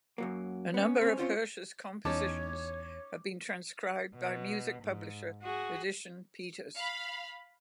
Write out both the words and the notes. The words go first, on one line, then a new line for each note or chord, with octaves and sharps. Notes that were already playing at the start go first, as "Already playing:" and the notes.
A number of Hersch's compositions have been transcribed by music publisher Edition Peters.
F#2 F#3 A#3
B3 C#4
C4 C#4
C4 C#4 F4 C5
E2 C#4 D#4 C#5 A5 D6
B2
G#2
F#4 G#4
F5 B5